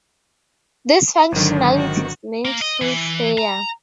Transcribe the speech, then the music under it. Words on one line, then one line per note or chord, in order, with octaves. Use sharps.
This functionality is named Freeplayer.
G#1 D3 D#3 F#3
F#4
A#3
D#5
E3
A#5